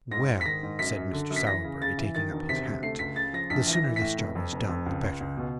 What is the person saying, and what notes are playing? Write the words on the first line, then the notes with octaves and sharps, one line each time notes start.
'Well,' said Mr. Sowerberry, taking up his hat, 'the sooner this job is done, the better.
G#2 A#6
G#2
B6
D#3 A#6
G#2
F#2 B6
F#2
D3
F#2
B6
E3 A#6
C#3
C#3 A6
E3
D#3 A6
E1
C3 B6
D2
A3 C7
C#2 B6
C#3 A6
F3 A#6
A#1 B6
E3
A#6
E3
B6
A2
F1
F2
F1
F2
C#2
C#2
C#2
B2